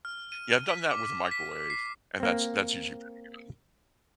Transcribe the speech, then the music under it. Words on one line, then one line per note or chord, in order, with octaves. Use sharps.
Yeah, I've done that with a microwave, and that's that's usually pretty good.
F6
D#7
B6
D6
B6
C7
A#3 C4